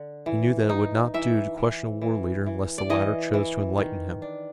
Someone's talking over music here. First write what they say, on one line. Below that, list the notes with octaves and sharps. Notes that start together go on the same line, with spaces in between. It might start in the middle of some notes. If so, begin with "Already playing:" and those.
He knew that it would not do to question a war-leader unless the latter chose to enlighten him.
Already playing: D3
E3
D#4
E3 E5
E3
E3
E3
D5
E3 D#5
E3
D#3
D4